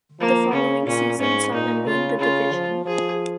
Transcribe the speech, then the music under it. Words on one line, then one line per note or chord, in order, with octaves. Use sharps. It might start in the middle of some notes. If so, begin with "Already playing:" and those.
The following season saw them win the division.
F3 A#3
C#3 C#4
A#2 C#4
G#2 C#4
A#2 D#4
C#3 F4
C#3 F4
F3
F3 G#4